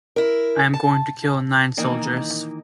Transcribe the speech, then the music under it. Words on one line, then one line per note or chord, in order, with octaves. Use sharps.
I am going to kill nine Soldiers.
E4 A#4
A5
D#3 E3 A#3 D#4